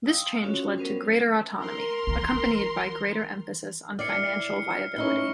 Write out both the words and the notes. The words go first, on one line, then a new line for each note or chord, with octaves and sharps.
This change led to greater autonomy, accompanied by greater emphasis on financial viability.
D#5 F5 G5 D#6 E6
C6
C4 C#4 F4 F#4 A4 C#5
F#3 G3 B3 C#4 A#4 C5
A#4 C6
E3
E4 D5 F6 C7 C#7
C#7
C#4 D#4 E4 C#6 G7